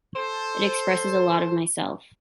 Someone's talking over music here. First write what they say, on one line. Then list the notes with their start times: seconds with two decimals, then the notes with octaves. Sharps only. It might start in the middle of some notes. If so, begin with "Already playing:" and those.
It expresses a lot of myself.
0.16 A4 C5